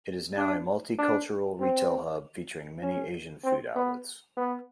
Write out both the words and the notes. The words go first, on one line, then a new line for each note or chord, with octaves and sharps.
It is now a multi-cultural retail hub featuring many Asian food outlets.
D4
D4
C4
C#4
C4
B3
B3